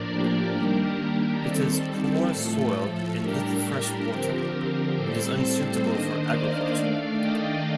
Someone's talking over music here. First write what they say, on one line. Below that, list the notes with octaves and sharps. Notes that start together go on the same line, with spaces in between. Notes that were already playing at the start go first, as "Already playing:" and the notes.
It has poor soil and little fresh water, and is unsuitable for agriculture.
Already playing: A2 F3 A#3 D4 A#4 D5
G4 A#4
D#3 G3 A#3 D4
D#3 G3 C4 A4
A2 F3 A3 A4
A2 G3 D4 G4 A#4
D3 F3 C4
A2 G3 C4 A4 C5
D#3 A#3 D4 C5 D#5
D5 F5
D#3 A3 D4
D#5 G5